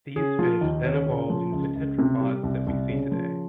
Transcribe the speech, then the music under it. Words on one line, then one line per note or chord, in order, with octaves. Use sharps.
These fish then evolved into tetrapods that we see today.
C#3 G#4
F3 F4
D#2 D#4
D#2 C#4
C#3
F3
C#2
C#2
C3
G3
C2
C2
C#3
F3